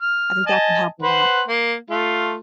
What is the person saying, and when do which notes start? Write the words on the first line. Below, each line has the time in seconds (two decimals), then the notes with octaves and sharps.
I think that can help a lot,
0.01 F6
0.46 D#5 G#5 A5
1.03 B4 C5 F#5
1.48 A#3
1.91 A3 F4